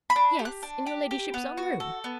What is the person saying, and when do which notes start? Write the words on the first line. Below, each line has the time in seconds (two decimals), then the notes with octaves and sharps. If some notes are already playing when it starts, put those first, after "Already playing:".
"Yes, in your ladyship's own room."
0.10 B5
0.16 D4
0.39 G4
0.45 F#6
0.63 D4
0.86 G4
1.11 G4
1.34 B3
1.58 F#4
1.80 A4
2.04 B3